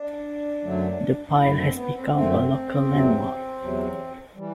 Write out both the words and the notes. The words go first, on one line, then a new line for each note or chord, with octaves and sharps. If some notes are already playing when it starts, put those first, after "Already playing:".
The pile has become a local landmark.
Already playing: D4
F#2 D3 F#3 A3
F#2 D3 A3 E4
C4
B3
C4
F#2 D3 A3 C4
E2 C3 F#3
E2 C3 F#3
E3 G3